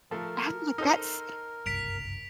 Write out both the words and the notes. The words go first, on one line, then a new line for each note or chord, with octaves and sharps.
I'm like "That's
F3 A3 A#4
D#4 A4 C5
F#1 C2 G2 B6 D7 F7